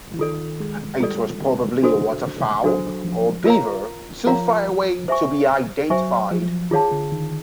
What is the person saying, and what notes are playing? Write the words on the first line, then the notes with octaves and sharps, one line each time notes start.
It was probably a water fowl or beaver too far away to be identified.
E3
D#3 F4 A4 D5
G#3
G3 F4 A4 D5
D4 F#4 A4 C5
F#3 D4 F#4 A4 C5
F3
F4 A#4 C#5 F5 A#5
F3 F4 A#4 C#5 F5 A#5
C5 E5 G#5 C#6
F#3 C5 E5 G#5 C#6
F3
D#3 F4 G#4 C#5 F5 A5
D3
D#3